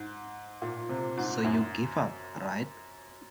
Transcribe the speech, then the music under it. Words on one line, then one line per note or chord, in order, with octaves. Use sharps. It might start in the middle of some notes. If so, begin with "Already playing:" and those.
So you give up, right?
Already playing: G#2
A#2
C3
G#2
F#2